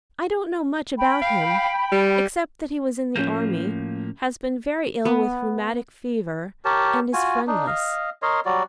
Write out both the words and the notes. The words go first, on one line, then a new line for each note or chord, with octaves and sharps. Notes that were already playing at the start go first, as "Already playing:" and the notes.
I don't know much about him, except that he was in the army, has been very ill with rheumatic fever, and is friendless.
G5 B5
F5
G3
A2 F3 A#3 C#4 G6
B3
G4 A#4 C#5 A5
F4 F#4 G#5
D4 D#4
D#5 F5
A#4 C#5 D#5 C6
F#3 G3 F#4 D5